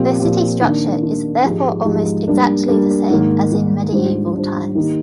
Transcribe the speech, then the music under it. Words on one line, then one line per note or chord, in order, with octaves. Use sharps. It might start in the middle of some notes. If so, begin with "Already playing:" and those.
The city structure is therefore almost exactly the same as in medieval times.
Already playing: A#2 F3 C4 G4
A#2 F3 C4 G4
D#3 A#3 D4
D#3 A#3 D4
G#2 F3 G#3 D#4 G4
G#2 F3 G#3 D#4 G4
G3 A#3 D4
G3 A#3 D4
G#2 D#3 A#3
G#2 D#3 A#3
G#2 G3 D4 F4 C5
G#2 G3 D4 F4 C5
D#3 A#3 D#4 G4